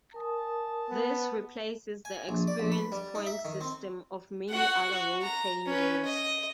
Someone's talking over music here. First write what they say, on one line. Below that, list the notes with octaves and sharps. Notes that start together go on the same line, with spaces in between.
This replaces the experience points system of many other role-playing games.
A#4 G#5 A5 D#6
B3
G#5
A#1
D5
A#1
B4
G3
D#4
E5
D#3
C4
F#4 F#5
F#4
A#5
C#4 B4
D#5